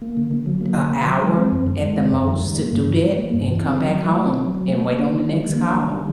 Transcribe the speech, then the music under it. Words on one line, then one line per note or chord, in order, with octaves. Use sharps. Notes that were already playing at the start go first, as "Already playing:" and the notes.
a hour at the most to do that, and come back home, and wait on the next call.
A#3
D3
D3
F#3
A#3
D3
D3
F#3
G#3
C4
F#2
D#3
G#3
C4
F#2
D#3
G3
A#3
G2
E3
G3
A#3
G2
E3
C4
F#3
F#3
A3
C4
F#3
F#3
A3
A#3
D4
D#3
G3
A#3
D4
D#3
G3